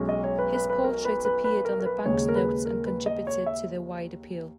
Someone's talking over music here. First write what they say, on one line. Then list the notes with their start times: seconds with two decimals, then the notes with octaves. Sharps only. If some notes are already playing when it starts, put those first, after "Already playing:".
His portrait appeared on the bank's notes and contributed to their wide appeal.
Already playing: B1 B2 G#3 C#4
0.09 D#5
0.24 C#5
0.39 B4
0.54 B4
0.70 B4
0.84 A#4
1.05 B4
1.25 B4
1.44 B4
1.65 A#4
1.80 A#4
1.86 B4
2.05 D#2 C#3 G#3 C#5
2.29 A#4
2.35 B4
2.65 A#4
2.86 B4
3.06 D#5
3.27 C#5
3.46 E5